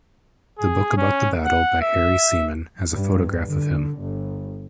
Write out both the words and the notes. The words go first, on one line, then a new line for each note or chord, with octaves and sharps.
The book about the battle by Harry Seaman has a photograph of him.
G#4
C#4
F#5
E5
G2
D3
G1